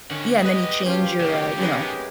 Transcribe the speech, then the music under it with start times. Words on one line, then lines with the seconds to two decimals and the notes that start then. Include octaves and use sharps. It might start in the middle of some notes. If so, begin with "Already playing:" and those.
Yeah, and then you change your, uh, you know,
0.10 D3 C#4 G4 F#5
0.42 G#3 B4 D#5
0.86 F3 C#4 F4 G4
1.20 A2 C#3 F#3 A#3
1.58 F#2 D#3 G#3 B3 B4